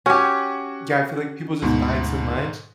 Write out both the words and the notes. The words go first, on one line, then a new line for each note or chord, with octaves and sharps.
Yeah, I feel like people just buy too much,
C#4 F#4 G4 G#5
D2 G#2 B2